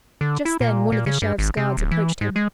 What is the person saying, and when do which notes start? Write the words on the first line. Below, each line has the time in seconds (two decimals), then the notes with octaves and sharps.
Just then one of the Sheriff's guards approached him.
0.21 D3
0.45 E4
0.61 A#2
0.92 A#2
1.06 C#3
1.22 G2
1.38 G#1
1.57 C3
1.77 D1
1.91 E3
2.21 G#2
2.36 G#3